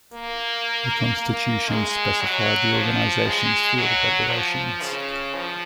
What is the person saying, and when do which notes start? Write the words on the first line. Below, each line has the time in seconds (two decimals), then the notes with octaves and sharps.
The constitution specified the organization's field of operations.
0.13 A#3
1.17 A#3
1.69 G#3
2.22 F#3
2.74 F3
3.26 G#3
3.78 F#3
4.30 F3
4.82 C#3
5.34 F3